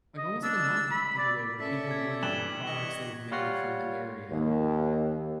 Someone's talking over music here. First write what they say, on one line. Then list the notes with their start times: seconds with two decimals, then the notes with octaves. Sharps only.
like, almost like a market in a way where people bring products they've made from the area,
0.18 D#5
0.43 D4 E6
0.91 B5
1.18 D5
1.60 C#4 A4 D5 E5 B6
1.91 G#6
2.23 G2 E3 E7 F#7 G7
2.66 D#5 C#6
3.31 G3 F4 C#5 F#5 A#6 C7
4.31 D#2